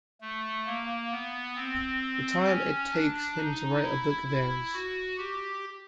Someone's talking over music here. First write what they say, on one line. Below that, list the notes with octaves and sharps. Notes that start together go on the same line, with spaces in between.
The time it takes him to write a book varies.
A3
A#3
B3
C4
C#4
D4
D#4
E4
E4
F#4
G4